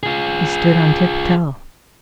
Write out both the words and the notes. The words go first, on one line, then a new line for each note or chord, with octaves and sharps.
He stood on tiptoe.
F4 G#4